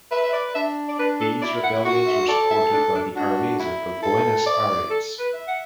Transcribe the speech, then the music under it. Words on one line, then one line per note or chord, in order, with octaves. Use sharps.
These rebellions were supported by the armies of Buenos Aires.
B4 E5
E5
D5
D4 E5
D5
D4 B4
A4
E4 D5
F#5
F#4 F#5
E5
A4 D5
E5
D4
D4
D4 F#4
E4
A4
D5
A4
B4
E5
F#5